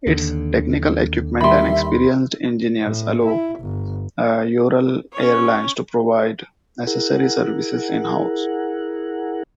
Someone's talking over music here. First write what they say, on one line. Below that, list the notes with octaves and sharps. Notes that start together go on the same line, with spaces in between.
Its technical equipment and experienced engineers allow Ural Airlines to provide necessary services in-house.
D#2 D3
D#3 G3 E5 B5 C6
A2
E4
G1
C#4 C#5
E4 G#4 A#4 F#5